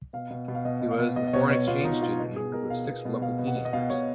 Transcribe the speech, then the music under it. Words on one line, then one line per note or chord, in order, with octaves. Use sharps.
He was the foreign exchange student in a group of six local teenagers.
B2 F5
B2
B2
F5
B2 D#5
B2
F5
B2
B2 D#5
D#5
B2 C#5
B2 C#5
B2 F4
B2 D#4
B2 F4
B2
B2 G#4
B2 A#4
B2 F5
B2
B2
B2 F5
B2
F#5
B2
D#5
B2 F5
B2 C#5